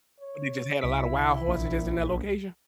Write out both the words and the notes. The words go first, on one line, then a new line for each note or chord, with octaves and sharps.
What they just had a lot of wild horses, just in that location?
C#5
C2 E4 B6
A#1